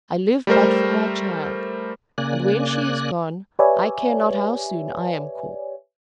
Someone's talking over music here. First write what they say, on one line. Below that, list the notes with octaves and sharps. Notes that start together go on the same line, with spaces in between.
I live but for my child, and when she is gone, I care not how soon I am called.
G3 A3 A#4 C5
C#3 A#3 D5 G#5 F#6
G4 B4 C#5 D5 E5 G#5